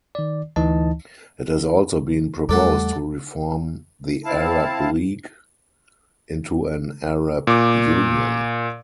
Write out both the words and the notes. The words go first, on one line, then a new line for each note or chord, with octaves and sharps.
It has also been proposed to reform the Arab League into an Arab Union.
D#3 D5
D2 E3 D#4 D#5 A5
E2 G3 A3 D4 A4 F#5
C4 E4 F5 A5
A#2 D6